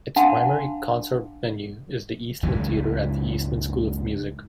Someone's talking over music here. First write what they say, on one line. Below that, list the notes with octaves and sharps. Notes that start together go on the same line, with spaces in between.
Its primary concert venue is the Eastman Theatre at the Eastman School of Music.
D4 F5 F#5 A5 C6
F#1 C#2 G#2 E3